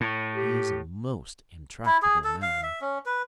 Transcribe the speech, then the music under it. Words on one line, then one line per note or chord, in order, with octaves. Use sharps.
"He is a most intractable man."
A2
G4
E4
G#4
A4
F5
E5
C#4
B4